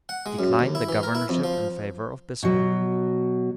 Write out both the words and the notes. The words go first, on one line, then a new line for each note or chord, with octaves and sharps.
Declined the governorship in favor of Bissell.
F#5
G#3
F#2
D#2
E4
E3
A#4
E4
F2
F3
B2 F#3